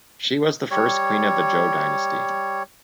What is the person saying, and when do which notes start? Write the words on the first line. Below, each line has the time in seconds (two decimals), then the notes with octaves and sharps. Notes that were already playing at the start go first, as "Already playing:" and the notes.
She was the first queen of the Zhou dynasty.
0.71 G3 C#5